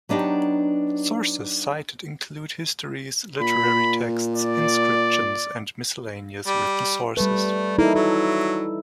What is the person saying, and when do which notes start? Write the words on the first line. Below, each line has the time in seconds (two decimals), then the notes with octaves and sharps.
Sources cited include histories, literary texts, inscriptions, and miscellaneous written sources.
0.09 F#3 B3 D4 D#4 G4
3.40 A#2 B5
4.35 D5
6.47 G3
7.17 G3 A3 B4
7.78 A#3 D#4 E4 A4
7.95 F#3 A4